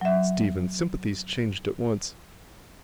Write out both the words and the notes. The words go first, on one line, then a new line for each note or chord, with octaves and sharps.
Stephen's sympathies changed at once.
F#3 E5